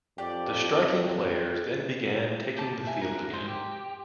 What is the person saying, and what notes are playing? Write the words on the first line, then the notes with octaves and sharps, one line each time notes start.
The striking players then began taking the field again.
F2 G4 D5
G4 A5
E5 G#5
F#4 A#4
G#2 C5
G4